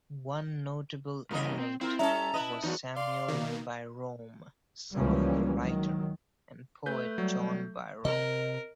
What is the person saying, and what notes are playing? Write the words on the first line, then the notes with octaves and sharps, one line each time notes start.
One notable inmate was Samuel Byrom, son of the writer and poet John Byrom.
G2 E3 A#3 C#4 A#4 D#5
C4
C4 E4 F4 A#4
G3 C#4 A4 E5 A5 A#5
E4 B4 D#5
E2 F#3 D#4 F#4
D5 F5 C6
B2 D#3 A#3
C#2 E3 F3 G3 A#3 C#4
D#3 F#3
A3 B4 G6
F#3 G3
C3 A#4 D#5